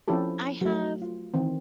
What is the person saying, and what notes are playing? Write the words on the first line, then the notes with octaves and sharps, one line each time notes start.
I have
F3 C4 C#4 E4 G4 A4
F#3 A3
F4
D#3 E3 C4